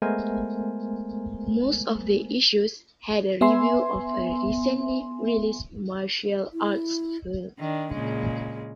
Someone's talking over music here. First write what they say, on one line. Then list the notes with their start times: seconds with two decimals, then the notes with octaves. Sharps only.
Most of the issues had a review of a recently released martial arts film.
0.02 G#3 A3 B3 A#4 C5 G#5
3.41 B3 E5 G#5 C6
6.53 E4
7.59 D#3 D4
7.91 A#2 C#3 G#3